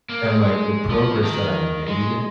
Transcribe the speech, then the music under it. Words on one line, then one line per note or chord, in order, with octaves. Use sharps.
and, like, the progress that I made
A#3
G#3
F3
D#3
G#3